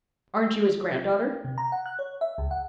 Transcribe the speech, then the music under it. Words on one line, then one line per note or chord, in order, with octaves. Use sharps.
"Aren't you his granddaughter?"
C3
A#5
F#5
F#6
C#5
E5
C#2
F#5